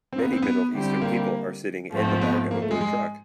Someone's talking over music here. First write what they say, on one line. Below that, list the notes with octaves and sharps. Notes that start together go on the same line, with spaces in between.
Many middle eastern people are sitting in the back of a blue truck.
C4
A#3
B3
C4
B3
D3 G3 C4 E4 G4
A#3
G#2 F3 A3 C4
B3
A#3
A3
G#3
G#3